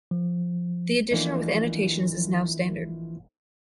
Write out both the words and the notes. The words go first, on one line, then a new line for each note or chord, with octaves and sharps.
The edition with annotations is now standard.
F3
E3 F3 A3 A#3 D4 D#4